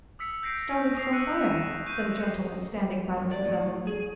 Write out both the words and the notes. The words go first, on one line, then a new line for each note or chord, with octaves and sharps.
"Started from where?" said a gentleman standing by Mrs. Evelyn.
D#6 E6 B6 C#7
G6 A#6 C7 D7
C#6 D#6 C7
D#6 E6 F#6 C#7 D#7
E7
C#6 G6 D#7
F#2
D5
A2
G#4